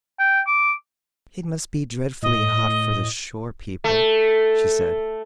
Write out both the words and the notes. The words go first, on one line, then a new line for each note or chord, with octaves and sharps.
"It must be dreadfully hot for the shore people," she said.
G5
D6
A2 D#5
A3